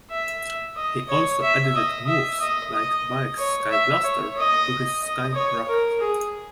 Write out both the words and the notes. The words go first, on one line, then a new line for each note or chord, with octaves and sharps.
He also edited moves like Baek's Sky Blaster to his Sky Rocket.
E5
D#5
C#5
E5
D#5
E5
D#5
D#5
C#5
E5
C#5
D#5
D#5
C#5
A#4
G#4